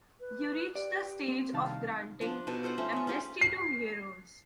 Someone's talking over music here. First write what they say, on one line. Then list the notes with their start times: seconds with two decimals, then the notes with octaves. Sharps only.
You reach the stage of granting amnesty to heroes!
0.20 B4
0.75 G4 D5
1.28 C4
1.53 C2 D#3 F5 A5
2.21 F3 D4
2.47 B2 D#4 A4 A5
2.63 F4 A4 C5 F#5
2.78 F3 A3 C#4
2.93 C#5 D#5
3.07 C#4 F4 G4 G#4
3.41 C7